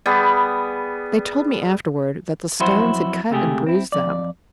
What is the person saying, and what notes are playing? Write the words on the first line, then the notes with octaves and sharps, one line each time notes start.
They told me afterward that the stones had cut and bruised them.
G3 B3 G#4
F2 F#3 E4 F#4 C5
C#2 C3 A3 G4 G#4
C4 E4
F2 D5